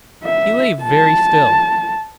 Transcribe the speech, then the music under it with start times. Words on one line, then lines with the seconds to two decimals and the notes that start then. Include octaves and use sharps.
He lay very still.
0.24 E5
0.83 A5